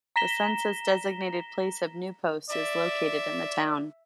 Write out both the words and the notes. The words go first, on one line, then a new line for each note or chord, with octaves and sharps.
The census-designated place of New Post is located in the town.
A#5 A#6 B6 E7 G7
D5 E5